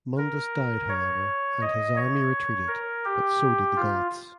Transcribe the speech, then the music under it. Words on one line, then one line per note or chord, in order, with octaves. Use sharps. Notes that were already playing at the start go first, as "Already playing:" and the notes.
Mundus died however and his army retreated but so did the Goths.
A#4
C#5
D#5
C#5
A#4
G4
F4